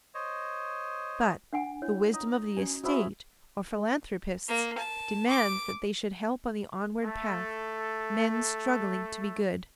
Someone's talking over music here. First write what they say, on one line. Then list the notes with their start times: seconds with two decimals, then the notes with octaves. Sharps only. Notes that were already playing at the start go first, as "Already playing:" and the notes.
But the wisdom of the Estate or philanthropists demands that they should help on the onward path, men struggling to be good.
0.14 C5 C#5 D#5
1.53 D4 F#5 G#5
1.82 E4 C#5
2.13 D#4
2.57 C#4 F#4 G#5
2.84 F#3 G#3 E4 F#4 C5
4.48 A#3
4.78 A5
5.29 D6
7.05 A3 A4